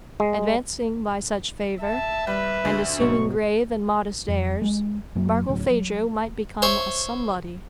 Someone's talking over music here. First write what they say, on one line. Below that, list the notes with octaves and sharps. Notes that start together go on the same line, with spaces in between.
Advancing by such favour, and assuming grave and modest airs, Barkilphedro might become a somebody.
G#3
E5 A5
G3 B4
D2
G#2 B2 F#3 C#6
F2
G3 G#3
F#2 F#3 A#3
D2 A2 F#3 C#4
F#3
C5 C#5 E5